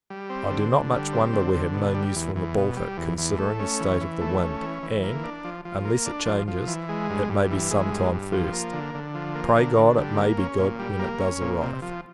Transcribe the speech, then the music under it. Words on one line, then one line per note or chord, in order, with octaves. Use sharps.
I do not much wonder we have no news from the Baltic, considering the state of the wind; and, unless it changes, it may be some time first. Pray God it may be good, when it does arrive.
G3
C4
D3
D3
G3
C4
D3
D3
B2
G3
E2
E2
B2
G3
E2
E2
A3
C#4
E3
E3
A3
C#4
E3
E3
A#3
D4
F3
F3
A#3
D4
F3
F3
E3
G#3
G2
G2
E3
G#3
G2
G2
F3
A#3
D3
D3
F3
A#3
D3
D3
G3
A#3
C#4
A#2
G3
A#3
C#4
A#2
C3
F3